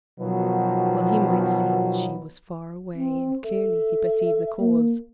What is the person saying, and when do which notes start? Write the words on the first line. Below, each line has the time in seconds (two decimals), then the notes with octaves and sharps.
Well he might see that she was far away, and clearly he perceived the cause.
0.19 B2 D#3 F3 F#3 B3
2.94 C4
3.45 A4 E5
4.59 A#3